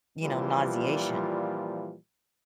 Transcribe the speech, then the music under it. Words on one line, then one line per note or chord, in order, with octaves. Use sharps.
you know, nauseation.
A#2 E3 F3 G3 F4